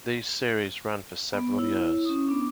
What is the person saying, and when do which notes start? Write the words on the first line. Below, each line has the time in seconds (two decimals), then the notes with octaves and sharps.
These series ran for several years.
1.33 B3
1.54 E4 C#5
2.05 C#4 D#6
2.29 B3 D4